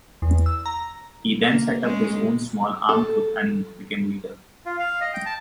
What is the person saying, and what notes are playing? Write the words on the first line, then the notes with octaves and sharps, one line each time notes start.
He then set up his own small armed group and became leader.
E2
E6
A#5
A#3
G#3 C#4
A4
F4
F5
D#5
G5
A5